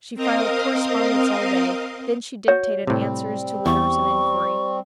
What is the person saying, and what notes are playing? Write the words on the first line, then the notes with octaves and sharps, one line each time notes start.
She filed correspondence all day; then she dictated answers to letters of inquiry.
C4 A#4 D#5 F5 D#6
F#4 C#5
A2 C3 G3 C4
E2 C#6